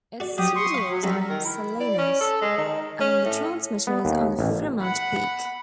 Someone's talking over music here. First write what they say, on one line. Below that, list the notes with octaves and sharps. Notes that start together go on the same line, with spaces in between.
Its studios are in Salinas, and the transmitter is on Fremont Peak.
F#4 D5
F#3 G4 D#6
C6 C#6 D#6
F5 B5
F#3
F#3 G3 C#4 A#4 E5
D#3
E4
D5
C#4
A4
G#3
D#3
C#4
A2
B3
D#2
A1
F#5 B5